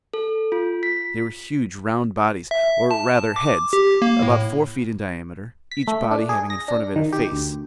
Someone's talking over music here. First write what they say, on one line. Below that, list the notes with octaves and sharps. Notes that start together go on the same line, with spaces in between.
They were huge round bodies--or, rather, heads--about four feet in diameter, each body having in front of it a face.
A4
F4
B6
E5
A5
D6
G4
A#3
A2
B6
A3
D4
G#4
A#6
D4
D#3
G4
D2